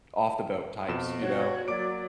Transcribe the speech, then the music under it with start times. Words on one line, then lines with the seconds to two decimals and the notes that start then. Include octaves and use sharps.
off the boat types, you know?
0.88 F2 B2 E7
1.21 F#4 C#5
1.68 F#3 A#3 D5 D6 D7